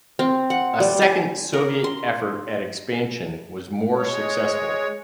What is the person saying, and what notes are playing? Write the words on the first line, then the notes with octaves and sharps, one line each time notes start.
A second Soviet effort at expansion was more successful.
C4
F#5
G3
G#5
A#4
C6
G#3 C#5